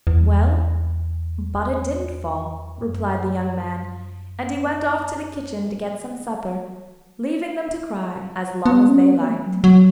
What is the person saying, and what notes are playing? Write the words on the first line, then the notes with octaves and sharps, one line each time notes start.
'Well, but it didn't fall,' replied the young man, and he went off to the kitchen to get some supper, leaving them to cry as long as they liked.
E2
A2
F#2
A2
C#3
E3
F#3
B3
C#4
B3
A3
F#3
F#3